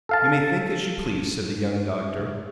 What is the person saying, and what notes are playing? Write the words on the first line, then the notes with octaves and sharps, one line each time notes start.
"You may think as you please," said the young doctor.
A4 F5 A5